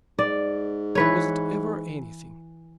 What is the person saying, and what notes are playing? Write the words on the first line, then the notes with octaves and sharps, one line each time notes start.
Was it ever anything?
G#2 D5
E3 B4 C#5